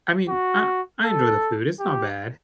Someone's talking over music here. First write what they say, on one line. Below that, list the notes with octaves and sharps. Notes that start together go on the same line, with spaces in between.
I mean, I I enjoy the food, it's not bad,
F#4
A4
G4